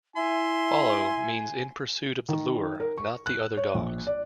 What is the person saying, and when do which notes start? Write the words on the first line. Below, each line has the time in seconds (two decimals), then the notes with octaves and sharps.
"Follow" means in pursuit of the lure, not the other dogs.
0.16 E4 E5 G#5 C6
2.29 D#3
2.80 A#4
2.98 C#6
3.26 F#6
3.57 C#5
3.74 A#1
4.07 D5